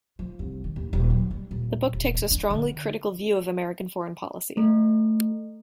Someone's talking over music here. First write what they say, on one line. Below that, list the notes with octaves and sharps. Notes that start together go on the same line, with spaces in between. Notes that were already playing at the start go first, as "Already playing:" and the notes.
The book takes a strongly critical view of American foreign policy.
F3
C2
D#3
D#2
D#1
F#3
G3
D#1
D#1
D#3
D4
D3
A3